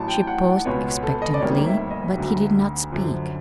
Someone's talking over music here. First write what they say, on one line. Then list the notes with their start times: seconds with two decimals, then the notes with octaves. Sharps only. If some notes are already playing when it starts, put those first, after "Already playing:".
She paused expectantly, but he did not speak.
Already playing: A1 A2 F#3 A5
0.08 G5
0.27 F#5
0.46 F#5
0.65 C#2 B2 G#3 B3 C#5
1.03 A4
1.22 D#5
1.34 D5
1.40 D2 C3 D#3 G3 A#3 C#5
1.66 E5
1.91 D#5
2.16 D2 D3 F#3
2.91 F#2 D3 F3